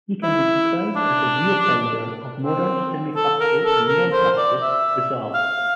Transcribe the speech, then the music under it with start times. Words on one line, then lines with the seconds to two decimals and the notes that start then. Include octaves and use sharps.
He can be described as the real founder of modern semi-classical and non-classical ghazal.
0.23 E4
0.96 D4
2.42 C4
3.16 A4
3.40 A#4
3.65 A4
3.88 A#4
4.13 C5
4.38 D5
4.62 E5
5.34 F5